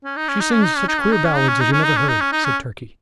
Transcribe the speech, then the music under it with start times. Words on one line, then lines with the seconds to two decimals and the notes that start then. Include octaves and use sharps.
"She sings such queer ballads as you never heard," said Turkey.
0.04 C#4
0.16 D#4
0.28 C#4
0.40 D#4
0.52 C#4
0.64 D#4
0.76 C#4
0.88 D#4
1.00 C#4
1.12 D#4
1.24 C#4
1.36 D#4
1.48 C#4
1.60 D#4
1.72 C#4
1.84 D#4
1.96 C#4
2.08 D#4
2.21 C#4
2.32 D#4
2.44 C#4